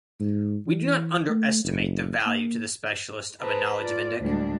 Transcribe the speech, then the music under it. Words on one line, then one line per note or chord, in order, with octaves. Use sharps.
We do not underestimate the value to the specialist of a knowledge of Indic.
G#2
E3
A3
F#1
A#3
G#4 B4 C5 A5 A#5
F4 D5
D2 A2 G3 G#3 D4